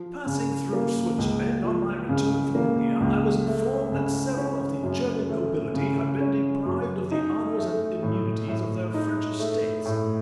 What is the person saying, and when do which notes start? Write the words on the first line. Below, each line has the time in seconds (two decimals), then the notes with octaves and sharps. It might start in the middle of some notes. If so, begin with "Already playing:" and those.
Passing through Switzerland on my return from India, I was informed that several of the German nobility had been deprived of the honours and immunities of their French estates.
Already playing: F3
0.26 C#3
0.73 A#3
1.18 C#2
1.64 F3
2.09 C#3
2.55 A#3
3.00 C#2
3.46 A3
3.92 C#3
4.37 C#4
4.83 F#2
5.29 A3
5.74 C#3
6.20 C#4
6.66 F#2
7.12 D#4
7.57 A3
8.03 A2
8.48 A2
8.94 D#4
9.39 A3
9.85 A2